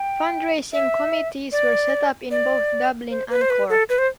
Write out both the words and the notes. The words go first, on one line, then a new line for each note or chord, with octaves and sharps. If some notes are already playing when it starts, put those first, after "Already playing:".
Fundraising committees were set up in both Dublin and Cork.
Already playing: G5
E5
D5
D5
C5
B4
C5
B4
A4
B4
C5